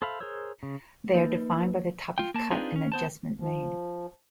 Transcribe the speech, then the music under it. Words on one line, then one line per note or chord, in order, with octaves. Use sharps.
They are defined by the type of cut and adjustment made.
A4 C5 E5 F5 B5
G#4 A#4 C5 C#5 E6
C#3
A#3 D#4 B4
F4 G5
A#3 A5
C4 D4 D#4 F4 G#4 B4
C#4
B3 C5 A5
F3